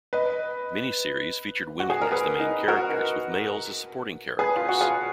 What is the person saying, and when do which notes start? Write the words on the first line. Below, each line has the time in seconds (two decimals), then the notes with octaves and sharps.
Many series featured women as the main characters with males as supporting characters.
0.13 B4 D#5
1.80 F#4
1.90 G#4
2.01 A#4
2.12 G#4 B4
2.40 D#4
2.68 F#4 A#4
4.39 G#4 B4
4.56 F4
4.69 F#4
4.81 F4 G#4